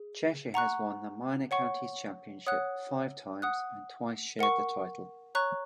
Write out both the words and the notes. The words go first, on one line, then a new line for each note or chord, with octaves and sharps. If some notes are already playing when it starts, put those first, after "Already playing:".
Cheshire has won the Minor Counties Championship five times, and twice shared the title.
Already playing: G#4
F#5 A#5 C#6 F#6
C#5 F#5 C#6
C#5 F#5 D#6 F#6
F#5 D#6 F#6
A#4 F#5 C#6
C#5 A#5 C#6 F#6